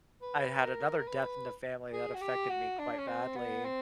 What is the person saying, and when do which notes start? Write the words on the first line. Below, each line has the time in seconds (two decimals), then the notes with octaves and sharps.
I had another death in the family that affected me quite badly,
0.22 B4
0.59 B4
0.64 A#4
0.98 A#4
1.08 B4
1.93 G#4
2.14 F#4
2.21 G4
2.50 F#4
2.79 D4
2.98 C#4
3.07 C4
3.36 B3
3.65 C4